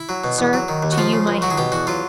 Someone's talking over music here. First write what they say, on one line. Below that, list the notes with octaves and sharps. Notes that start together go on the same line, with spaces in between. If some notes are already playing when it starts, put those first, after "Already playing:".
Sir, to you my hand.
Already playing: E4
F#3
B2
E2
F#3
D#3
D#2
F#4
F3 F4
C#3
C#2
F#3 F#4
G#4
B2 G4
E2 F#4
F#3 F4